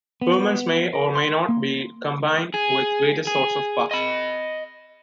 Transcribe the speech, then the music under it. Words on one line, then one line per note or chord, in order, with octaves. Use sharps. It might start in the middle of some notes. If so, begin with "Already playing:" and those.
Firmans may or may not be combined with various sorts of passports.
B3
A#4
C6
A#3
G#4
G#4
D#5 B5